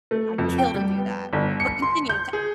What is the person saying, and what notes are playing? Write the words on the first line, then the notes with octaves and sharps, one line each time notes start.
I'd kill to do that. But continue, ta
A3
F2
G5
G3
B3
G1
C#7
C6
G6
G#4